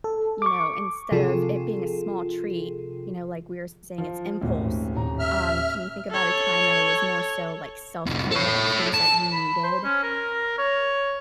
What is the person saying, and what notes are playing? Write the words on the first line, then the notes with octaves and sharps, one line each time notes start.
you know, instead of it being a small treat you know, like we were s-saying it's impulse. Um, can you think about a time that it was more so, like, self-care, like, things that you needed?
A4
C#6 D6
C3 F3 F4 G#4 A4
F3 F4
D#1 G#1 D2
D#1 A#5
E5 F6
A4 C#5
C2 F2
A4 C#5
A5
B5
C5
C#4
A#4
C#5